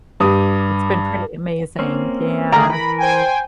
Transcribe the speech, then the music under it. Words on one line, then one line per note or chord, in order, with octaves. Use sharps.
It's been pretty amazing, yeah.
G2 G4 D#6
A#3 C4 C#4
D3 A3 G#4 D5 F5 A#5
E3 A#4 B5
C5 G5 G#5